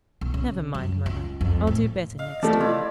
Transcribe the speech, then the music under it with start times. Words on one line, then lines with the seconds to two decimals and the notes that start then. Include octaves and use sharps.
'Never mind, Mother; I'll do better next time.'
0.21 B1
0.34 C#3
0.74 F#2
1.06 C#2
1.41 F2
1.67 A1
2.19 D#5 F5
2.43 F3 A3 D5
2.60 E4 F4